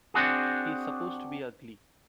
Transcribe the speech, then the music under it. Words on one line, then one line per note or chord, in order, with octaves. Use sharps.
He's supposed to be ugly.
C4 D4 F#4 G#4